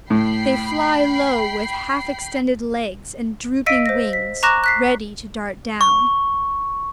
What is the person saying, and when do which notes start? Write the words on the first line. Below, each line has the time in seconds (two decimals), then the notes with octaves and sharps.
They fly low with half-extended legs and drooping wings, ready to dart down.
0.10 A2 G5 B5 C7
3.66 D#5 F5 E6 B6 D7 D#7
3.86 C5 A#6
4.13 B6
4.43 A#5 C#6 D6 F#6 A#6 E7
4.64 F#6 B6 C7
5.81 C#6